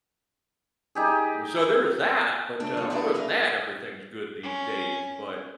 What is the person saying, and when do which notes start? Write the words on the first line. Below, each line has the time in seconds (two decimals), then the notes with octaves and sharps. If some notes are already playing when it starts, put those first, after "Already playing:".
so there's that, but, uh, other than that, everything's good these days. But,
0.95 D#4 G4 G#4
2.60 C#3 A3 D4 G#4
2.77 F#2 B3 F4 A4 C#5
2.90 D4 E4 G4 A4 D5 D#5
3.14 G#4 A#4 B4 E5 F5
4.43 C#4